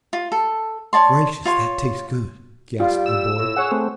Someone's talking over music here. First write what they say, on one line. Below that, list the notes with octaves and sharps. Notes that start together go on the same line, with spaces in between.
"Gracious, that tastes good!" gasped the boy.
F4
A4
C#5 D5 A5 C6
F4 C#5 C6
G3 F4
E6
A2
G#4 C#5 F#5
A3 C4